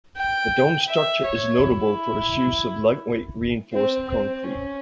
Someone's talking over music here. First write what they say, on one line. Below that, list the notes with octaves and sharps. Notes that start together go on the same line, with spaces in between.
The domed structure is notable for its use of lightweight reinforced concrete.
G5
E5
C#5
E4
C4
C4
C#4